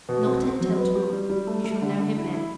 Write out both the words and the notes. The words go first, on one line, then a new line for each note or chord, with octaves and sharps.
"Not until to-morrow--you shall know him then."
B2
C4
C4
F#3
B3
G4
G3
G3
A3
A3
D3
D3
E4
E4